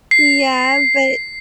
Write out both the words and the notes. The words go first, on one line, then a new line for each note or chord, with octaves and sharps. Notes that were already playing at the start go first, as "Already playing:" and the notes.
yeah, but
C7